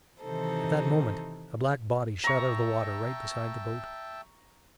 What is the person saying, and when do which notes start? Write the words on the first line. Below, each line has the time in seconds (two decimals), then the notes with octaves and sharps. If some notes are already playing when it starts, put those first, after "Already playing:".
At that moment a black body shot out of the water right beside the boat.
0.21 C3 D#3 E3 D#4 A4 C5
2.24 E5 G5 A5 A#5 C#6